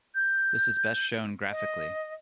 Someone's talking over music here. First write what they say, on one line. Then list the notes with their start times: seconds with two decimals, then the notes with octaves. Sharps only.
This is best shown graphically.
0.15 G6
1.51 D#5